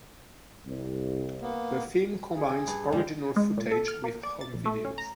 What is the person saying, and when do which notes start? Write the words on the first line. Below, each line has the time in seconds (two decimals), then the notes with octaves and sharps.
The film combines original footage with home videos.
0.66 C2
1.42 A#3 B3
2.33 G#4
2.67 G2
2.92 G2 D3 G3 G#3
3.36 G#3
3.57 A#2
3.71 A4
3.88 F6
4.04 A#3
4.23 D5
4.41 A6
4.54 A#1
4.65 A3
4.85 C#4
4.98 A#5